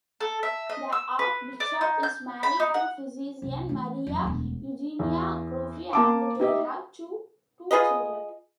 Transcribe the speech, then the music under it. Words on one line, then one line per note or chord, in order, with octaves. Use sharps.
The archbishop is married to physician Maria Eugenia Akrofi and they have two children.
A4
E5
D#5
E6
B4
D5
D#4
G6
B5
D#4
F#5
C2 F#2
E3 A3
F2 F#3
E1 D2
E2
A#3 A5 D6
D#4 G4 D#5 E5
F4 G#4 B4 D#5